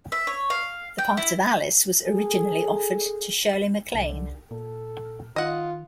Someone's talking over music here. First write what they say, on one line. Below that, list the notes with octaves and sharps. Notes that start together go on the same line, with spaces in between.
The part of Alice was originally offered to Shirley MacLaine.
E5
C#5
F5
G5
E4
G#4 A4
C2 D3
A#2 A4
D#3 F4 D#5 F#5